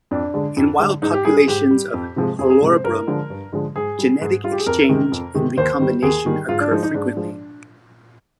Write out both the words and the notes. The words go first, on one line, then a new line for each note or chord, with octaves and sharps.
In wild populations of "Halorubrum", genetic exchange and recombination occur frequently.
F2 D4
D3 G#3
F2
D3 G#3
G#2 D#4
G4
G3 G#4
G#4
G#2 G4
G3
F2
C3 F3 G#3
F2 G#4
G#4
C3 F3 G#3
C5
G2 A#4
D3 F3 G#3
G2
D3 F3 G#3
G#2 G#4
G3
G#2
G3 F4
G4
G#4
F2 A#4
C3 D#3 G#3
F2
C3 D#3 G#3
D#2 C5
D#3 G3
D#2 G#4
D#3 G3
G#2 F4
D4
F3 G#3 D#4
D#4
G#2 D4
F3 G#3